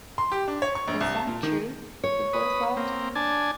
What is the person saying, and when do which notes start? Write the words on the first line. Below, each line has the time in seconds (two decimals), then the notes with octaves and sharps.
Is that true? - the boy thought.
0.18 C6
0.32 G4
0.48 D4
0.62 C#5
0.75 C#6
0.88 A#1
1.01 C2
1.16 A5
1.27 A#2
1.43 D#3
2.04 C#5
2.33 B4 D#6
2.77 A#3 C4
3.15 D4 G#5 A5